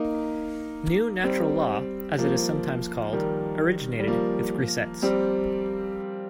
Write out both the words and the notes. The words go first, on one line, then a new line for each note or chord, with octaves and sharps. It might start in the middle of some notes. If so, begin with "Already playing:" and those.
"New Natural Law" as it is sometimes called, originated with Grisez.
Already playing: A#3 D#4
G3 C4
F3 A#3
D#3 G3
G3
F3 A#3
G3 C4